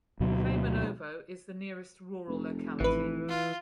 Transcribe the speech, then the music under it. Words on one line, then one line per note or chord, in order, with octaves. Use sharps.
Kleymenovo is the nearest rural locality.
D2 B2 F#3
F1
A1 E3 B4
F4